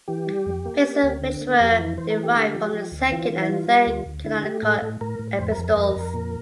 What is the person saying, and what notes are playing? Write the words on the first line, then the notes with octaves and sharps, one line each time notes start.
Basil which were derived from his second and third canonical epistles.
E3 G4
G3
F2
A#3
A#3
D2
D3
A#3
F2 G4
F4
E3
E4
E3 C5
A#4
A3
G4
D3
F3
F3
D2
E3 F4
E3
E4
G3 F4
G3
D2
D2
D3 E4
A3 G4
A2 A4
A2
A2 A#4
A2
F2 C5
A#4
F2
A#4
F2 A#4
F2
A#2